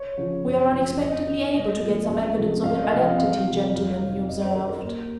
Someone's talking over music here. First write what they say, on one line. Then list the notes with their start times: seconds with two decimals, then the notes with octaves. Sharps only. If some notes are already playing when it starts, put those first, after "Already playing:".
"We are unexpectedly able to get some evidence of identity, gentlemen," he observed.
Already playing: C#5
0.17 C#3 F3
0.45 F#2
0.72 C#3 F3
1.00 F2 D#5
1.27 D#3
1.54 C2 D#5
1.81 A#2 F3
2.08 C#2
2.36 C3 F3
2.63 C#2 F5
2.82 D#5
2.91 C3 F3 F5
3.05 F#5
3.18 C2 F5
3.45 C3 F3
3.73 F2
4.00 C3 D#3
4.27 F#2 D#5
4.41 C5
4.55 D#3 A#4
4.69 A#4
4.83 D#2